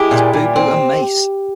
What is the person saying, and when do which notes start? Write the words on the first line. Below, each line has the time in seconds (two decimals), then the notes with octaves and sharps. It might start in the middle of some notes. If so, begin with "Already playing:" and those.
As Boo Boo and Mace!
Already playing: G#3 E4 G4
0.11 A#2
0.34 A#2
0.56 C4